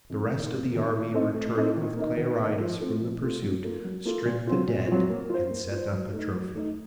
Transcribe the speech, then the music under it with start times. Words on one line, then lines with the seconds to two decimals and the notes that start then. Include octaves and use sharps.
The rest of the army returning with Clearidas from the pursuit stripped the dead and set up a trophy.
0.10 F2
0.31 D#3 A#3
0.51 F2
0.72 D#3 A#3
0.93 A3
1.14 C4 D#4 A4 D#5
1.34 A3
1.55 C4 D#4 A4 D#5
1.77 D#3
1.97 A#3 D#4 A#4 D#5
2.17 D#3
2.39 A#3 D#4 A#4 D#5
2.60 F3
2.81 A3 C4 F4 A4
3.00 F3
3.21 A3 C4 F4 A4
3.42 F#3
3.64 A#3 F4 A4
3.84 F#3
4.05 A#3 F4 A4
4.25 A#2
4.47 F#3 C4 F4
4.68 A#2
4.88 F#3 C4 F4
5.10 A#3
5.30 F4 C5
5.50 A#3
5.72 F4 C5
5.92 F#3
6.13 A3 D#4
6.33 F#3
6.55 A3 D#4